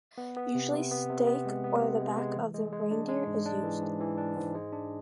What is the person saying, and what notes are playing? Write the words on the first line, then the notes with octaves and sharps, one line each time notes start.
Usually steak or the back of the reindeer is used.
B3
B3
C3
C3
B3
C3
B3
G#3
B3
C3
G#3
G#3
E3
G#3
G#3
D4
G#3
G#2
D4
E3
G#2
E3
D4
G#2
G#3
D4